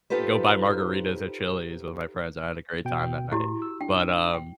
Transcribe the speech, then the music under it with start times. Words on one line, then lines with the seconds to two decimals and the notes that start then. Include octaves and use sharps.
go buy margaritas at Chili's with my friends. I had a great time that night. But, um
0.10 D#4 F4 G4 A4 B4 C5
2.85 B2 G5
3.32 A2 E4 F#4 G4
3.62 E6
3.81 D4 G5
4.34 G5